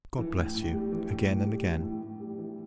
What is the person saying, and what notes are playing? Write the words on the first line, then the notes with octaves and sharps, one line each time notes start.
God bless you, again and again!
E3
A2
A2
G3
E3
A2
A2
G3
E3
A2
A2
G3
E3